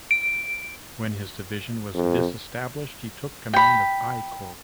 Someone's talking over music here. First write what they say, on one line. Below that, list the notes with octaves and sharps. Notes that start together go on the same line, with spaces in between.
When his division was disestablished, he took command of I Corps.
D7
F2
G5 B5